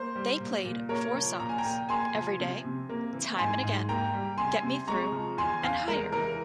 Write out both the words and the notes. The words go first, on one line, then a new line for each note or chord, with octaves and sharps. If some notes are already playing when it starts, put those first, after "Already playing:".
They played four songs: "Everyday", "Time and Again", "Get Me Through", and "Higher".
Already playing: A#3 C5
G3
A#2
A#2
A#3 A#4 C#5
F3
A#2 A#5
G#5
G5 A#5
A#2
A#3 G#5 C6
F3
C3
C3
A#3
E3
G#2 G#5 C6
G#2
A#3 G5 A#5
G3
C3 G#5 C6
C3
G#3 A#5 C#6
F3
E2 G#5 C6
E2 F5 G#5
G#3 A#4
E3 A#4